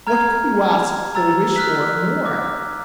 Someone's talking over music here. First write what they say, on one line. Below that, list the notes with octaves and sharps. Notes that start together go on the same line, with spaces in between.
What could you ask, or wish for, more?
A#5 F6 G#6
A#5 E6 A6
F6 F#6 B6
D6